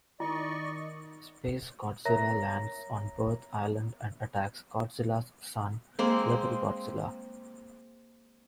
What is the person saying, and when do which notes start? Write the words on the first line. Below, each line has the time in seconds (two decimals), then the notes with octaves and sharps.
SpaceGodzilla lands on Birth Island and attacks Godzilla's son, Little Godzilla.
0.20 D#3 E4 D5 D#5 C#6
2.05 A#4 C#5 E5 A#5 A#6
5.99 G#3 A#3 C4